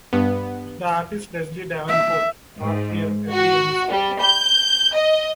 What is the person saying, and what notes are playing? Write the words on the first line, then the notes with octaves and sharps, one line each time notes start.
The artist Leslie Davenport taught here early in his career.
G2 B3
E5
G#2
F#4
G3
G6
D#5